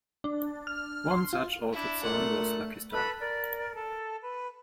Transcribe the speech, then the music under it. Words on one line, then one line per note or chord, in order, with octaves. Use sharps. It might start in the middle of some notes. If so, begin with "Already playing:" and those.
One such altered song was "Lucky Star".
D4
F6
C6
F4
D4 E4
A#2 A3 F#5
A4 B4 B5 F#6
A#4 D5
A4
B4